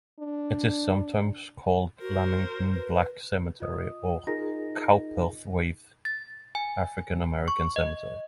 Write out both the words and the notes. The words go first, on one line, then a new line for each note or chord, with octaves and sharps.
It is sometimes called Lamington Black Cemetery or Cowperthwaite African American Cemetery.
D4
F#4 A#4 C5
B4
F4 D#5 D#6
D#4 F4 G#4 A#4 A#6
A6
G#5
C#6
D#5